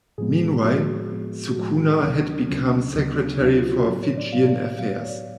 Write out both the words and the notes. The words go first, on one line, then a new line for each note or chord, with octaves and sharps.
Meanwhile, Sukuna had become Secretary for Fijian Affairs.
A2 F3 G#3 B3 G#4
A2 F3 G#3 B3 F#4
A2 F3 G#3 B3
A2 F3 G#3 B3 F#4
F#4
A4
D2 C#3 F#3 B3 C#5
D4
D4
D2 C#3 F#3 B3 C#4
D2 C#3 F#3 B3
D2 C#3 F#3 B3 D4
F4
F#4
A2 F#3 B3 A4
C#5
D5
A2 F#3 B3 F5
D5
D5
A2 F#3 B3 F5
D5
C#5
D5